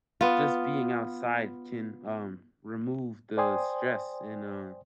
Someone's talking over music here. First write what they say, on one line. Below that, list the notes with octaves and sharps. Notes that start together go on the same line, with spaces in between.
just being outside can, um, remove the stress and, uh,
B3 F4
C5 D5 G5 G#5 C6 D#6